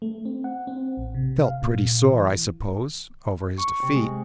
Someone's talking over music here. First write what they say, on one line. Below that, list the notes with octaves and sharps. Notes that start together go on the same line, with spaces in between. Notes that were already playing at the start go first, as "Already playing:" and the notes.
"Felt pretty sore, I suppose, over his defeat."
A3
C4
F#5
C4
A1
C3
F5
A#2
E3
C#6
C3
G#3